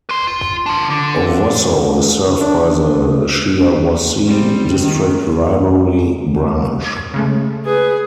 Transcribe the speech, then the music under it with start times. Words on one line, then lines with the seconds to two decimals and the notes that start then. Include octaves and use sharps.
Owosso is served by the Shiawassee District Library branch.
0.09 B4 C6
0.27 F4
0.66 D4 F4
0.90 D3
2.41 D4
4.26 G3 C4
4.81 D#3
7.14 C#3 G#3 A3
7.66 G#4 B4